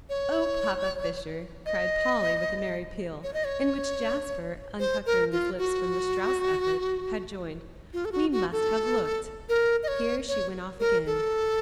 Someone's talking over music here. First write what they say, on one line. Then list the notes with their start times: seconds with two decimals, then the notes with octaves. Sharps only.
"Oh, Papa Fisher!" cried Polly with a merry peal in which Jasper, unpuckering his lips from the Strauss effort, had joined, "we must have looked"--Here she went off again.
0.09 C#5
1.66 D#5
3.23 C#5
3.34 D#5
3.44 C#5
4.79 C5
5.06 A#4
5.32 F4
5.58 F#4
7.93 F4
8.05 A4
8.12 F#4
8.32 F#4
8.52 A4
9.49 A#4
9.83 D#5
9.88 C#5
10.28 C#5
10.80 A#4
11.06 A4